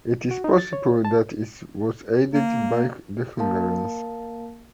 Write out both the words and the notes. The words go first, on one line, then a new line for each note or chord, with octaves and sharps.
It is possible that it was aided by the Hungarians.
F#4
D#4
A6
C#5
A5
A#3
A#3 A#4 F5 A5